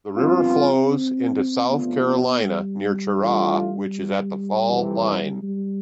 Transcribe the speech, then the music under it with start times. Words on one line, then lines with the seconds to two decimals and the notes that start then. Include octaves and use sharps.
The river flows into South Carolina near Cheraw, which is at the fall line.
0.16 G2 F3 B3 C4 F4
1.67 C3 F3 A3 B3 D4 F4
2.43 G3
3.18 E3 A3 D4 F4
4.67 F2 C3 E3
5.43 G3